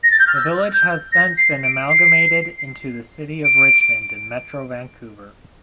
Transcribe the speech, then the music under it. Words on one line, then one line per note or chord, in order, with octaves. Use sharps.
The village has since been amalgamated into the city of Richmond in Metro Vancouver.
A#6
A6
G6
F6
E6
G6
A#6
C7
D7
C7
D7